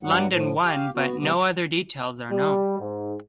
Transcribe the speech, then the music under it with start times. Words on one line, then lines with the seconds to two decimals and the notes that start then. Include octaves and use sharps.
London won but no other details are known.
0.03 G2 F#3 G3 F#5
0.30 A2 F3
0.64 G4 F5
0.95 B3 F#4
1.20 C3 G3 B3
2.31 G3
2.80 G#2